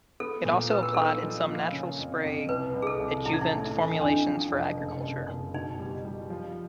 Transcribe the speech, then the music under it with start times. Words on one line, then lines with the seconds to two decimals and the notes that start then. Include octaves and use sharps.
It is also applied in some "natural" spray adjuvant formulations for agriculture.
0.20 B3 A4
0.45 A#2
0.71 B3 B4
0.83 A#4
0.94 D#4 A4
1.06 A#4
1.22 F3
1.47 A#3
1.73 C#3
1.99 F2
2.24 F2
2.49 C2 B4
2.74 C2
2.82 G#4
2.87 A4
3.00 C2
3.25 A1 E4
3.33 D#4
3.41 E4
3.51 A3
3.76 E3
4.01 F2 D4
4.27 F3
4.53 F1
4.78 F#1
5.03 F#1
5.29 F#1
5.54 B2 D#4
5.79 G3
6.05 G3
6.30 F3